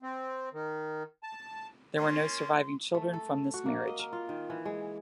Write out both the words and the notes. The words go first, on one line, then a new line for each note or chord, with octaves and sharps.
There were no surviving children from this marriage.
C4
D#3
A5
A#3 C#4 F4 C6
A3
A4
F#4
A#3
D#5
A#4
F4
D#3
E3
G#3